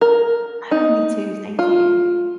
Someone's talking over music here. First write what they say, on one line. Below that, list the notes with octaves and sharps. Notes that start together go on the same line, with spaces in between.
Oh, me too, thank you.
A#4
D#4
F4